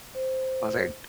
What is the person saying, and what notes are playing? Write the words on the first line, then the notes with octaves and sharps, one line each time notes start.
I was like
C5